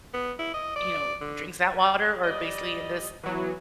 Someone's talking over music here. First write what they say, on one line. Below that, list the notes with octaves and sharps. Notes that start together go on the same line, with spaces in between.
you know, drinks that water or, basically, in this
B3
E4
D#5
D5
D3
G3 D5 D#5
E3 F#3 B3 F#4